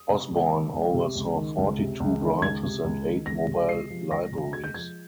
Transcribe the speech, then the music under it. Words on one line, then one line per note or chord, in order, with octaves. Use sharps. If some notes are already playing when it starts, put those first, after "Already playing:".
Osborne oversaw forty two branches and eight mobile libraries.
Already playing: D#6
C3
C#2
D#3
C#2
C3
C#2
D#3
C#2
C3
C#2
D#3
C#2 G#6
C3
C#2
D#3
C#2 A#6
C3
G#3 C7
F3
C#2 A#6
C3
G#3 G#6
G6
F3 G#6